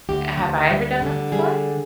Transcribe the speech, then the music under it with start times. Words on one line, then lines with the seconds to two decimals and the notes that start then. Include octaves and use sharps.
Have I ever done that before?
0.09 D2 G4
0.39 D2
0.70 G3
1.02 D3
1.32 G3 G#4